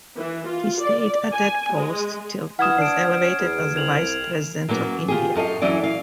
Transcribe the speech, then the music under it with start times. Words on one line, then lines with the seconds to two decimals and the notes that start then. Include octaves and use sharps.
He stayed at that post till he was elevated as Vice-President of India.
0.17 E3
0.48 F4
0.80 D5
1.33 G#5
1.73 G#3
2.59 E3 F#5 D#6 F6 G#6 E7
2.78 D4 C7 D7
3.23 C#4
3.39 E2
3.76 C2 G#6 F7 F#7
4.68 F#3 G3 A#3 B3 C#4
5.08 F4 G4 G#4
5.35 F#2 A4 D#5 F5
5.62 E3 F#3 C#4 E4 D5
5.83 F5